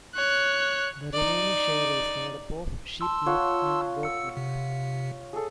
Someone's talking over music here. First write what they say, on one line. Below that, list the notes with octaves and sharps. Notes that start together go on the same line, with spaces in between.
The remaining share is made up of sheep milk and goat milk.
C#5 F#6
D#4 D5
A5 C6 E6
F4 C#5 F#5
E6 C#7
C3
G#4 A4